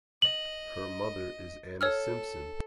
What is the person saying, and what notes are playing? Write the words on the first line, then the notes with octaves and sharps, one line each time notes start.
Her mother is Anna Simpson.
D#5 F#7
A4 C#5 E6 F6